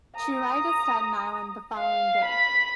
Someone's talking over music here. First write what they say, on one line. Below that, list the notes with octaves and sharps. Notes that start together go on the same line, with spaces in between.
She arrived at Staten Island the following day.
A#5 D#6
F5
B5